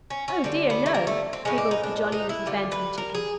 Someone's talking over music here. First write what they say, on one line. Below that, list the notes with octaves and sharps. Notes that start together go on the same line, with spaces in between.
"Oh, dear, no!" giggled a jolly little Bantam Chicken.
C#4
C#4
D3 G3 C4
B3
A3
A#3
A3
C4
A2 F3 G#3 C#4
D4
D#4
D4
D4
D#4
E4
D3 G3 F4
B4
A#4
G#4